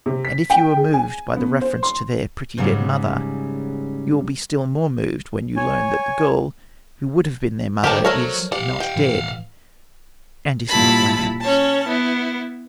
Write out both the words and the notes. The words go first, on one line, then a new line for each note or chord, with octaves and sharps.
And if you were moved by the reference to their "pretty dead mother," you will be still more moved when you learn that the girl who would have been their mother is not dead and is not Lamb's.
C3
B6
G5
G#4
G#5
B3
C5
C6
G#2 C#3 F#3 G3
C#5 G#5
D3 G#3 G4 A4 A#4 C5 D5 A5
F#3 A3 A#4 C#5
G4 D5 F5 F#5
G5
A2 E3
A#2 G3 E4 A5 B5
C#4 C#5 A5
B3 E4